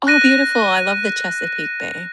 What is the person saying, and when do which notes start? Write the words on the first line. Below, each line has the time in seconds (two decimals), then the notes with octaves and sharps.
Oh, beautiful. I love the Chesapeake Bay.
0.07 F#6 A#6 D#7